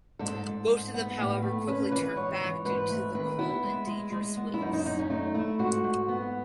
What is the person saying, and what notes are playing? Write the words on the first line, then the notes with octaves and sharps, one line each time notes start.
Most of them however quickly turned back due to the cold and dangerous waves.
G#2 A4
G#2
G#2
B3
A2
A3
C#4 B4
E3 B4
G#2 C#5
E3
G#2 B4
A3
D#3 B4
B3 E4
G#3
G#3
G#3
B3
E4
F#2 D#4
D#4
F#2 D#4
C#4
A3 D#4
A3 E4
G#2 F#4
G#2
B3